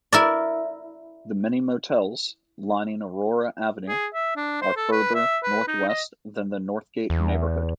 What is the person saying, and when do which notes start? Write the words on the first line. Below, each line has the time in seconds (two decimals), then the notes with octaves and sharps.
The many motels lining Aurora Avenue are further northwest than the Northgate neighborhood.
0.13 E4 A#4 D5
3.88 G#4
4.14 E5
4.36 D4
4.62 C5
4.76 A4
4.92 B4
5.15 E5
5.43 B4
5.68 D#4
5.89 D#5
7.10 E2